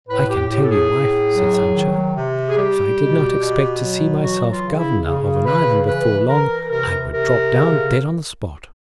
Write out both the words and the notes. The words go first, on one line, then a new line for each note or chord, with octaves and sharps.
"I can tell you, wife," said Sancho, "if I did not expect to see myself governor of an island before long, I would drop down dead on the spot."
A2 B4
G4
A2 G4
A4
G#4
A2
F#3
D#3
C3
G#4
G3 G4
B2
B2
F#3
E3 F#4
F4
C#3
E4
C#3
C#3 B4
E3 B4
E3 A#4
C3 A#4
C3 A#4
C#3